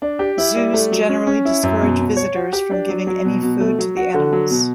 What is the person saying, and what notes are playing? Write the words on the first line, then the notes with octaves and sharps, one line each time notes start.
Zoos generally discourage visitors from giving any food to the animals.
D4
G4
E4
G3
A3
F#3
C#4
C#4
E4
F#2
B2
B2
C#5
F#4
G4
D4
F#3
F#3
B2
B2
A3
F#3
F#4
D3
F#3
B2